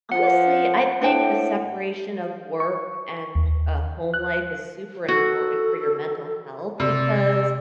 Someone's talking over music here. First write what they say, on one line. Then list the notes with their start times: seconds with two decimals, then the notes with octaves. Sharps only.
Honestly, I think the separation of work and a home life is super important for your mental health because
0.12 F3 F#5
1.01 A2 D4 G5
2.60 C#6
3.35 D#2
4.14 F#6
5.08 F#4 A4
6.80 C3 D5